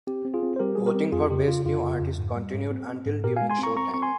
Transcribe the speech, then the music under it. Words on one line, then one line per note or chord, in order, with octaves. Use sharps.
Voting for Best New Artist continued until during showtime.
C4 G4
C4
F4 G#4
C4
C5
G3 G4 A#4
G3 G#4
G4 A#4
C4
F2 F4 G#4
C#3 G4
C#3 F4
F2 F4
C#3
F2
G#2
G3
G#2
C4
C4
G#2
A#2 G4 A#4
F5 G#5
G#3
G#5 C6
C4 A#5 C#6
C4 A#5 C#6
C4 C#6
G#5 C6